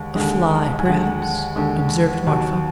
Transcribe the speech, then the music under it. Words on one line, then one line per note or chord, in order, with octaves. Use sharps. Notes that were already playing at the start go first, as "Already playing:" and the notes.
"A fly, perhaps," observed Marfa.
Already playing: D#2 D3 G#3
D#2 D3 G#3
G#5
D#2 D3 G#3 F#5
F#5
D#2 D3 G#3
D#2 D#3 F#3